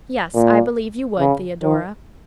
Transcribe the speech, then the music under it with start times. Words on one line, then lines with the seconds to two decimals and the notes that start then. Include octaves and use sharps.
"Yes, I believe you would, Theodora."
0.34 A#2
1.20 C#3
1.63 D#3